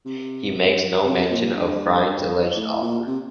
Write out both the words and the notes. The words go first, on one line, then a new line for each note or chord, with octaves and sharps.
He makes no mention of Phryne's alleged offer.
C3
C3
A#2
G2
A2
A#2
C3